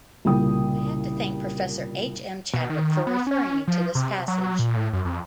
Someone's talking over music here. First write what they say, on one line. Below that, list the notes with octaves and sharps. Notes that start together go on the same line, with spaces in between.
I have to thank Professor H. M. Chadwick for referring me to this passage.
C2 A#2 C#3 G3 G5 D#6
B2
D#3
B3
C#4
F3
C3
F#3
A#2
A2
F#2
F2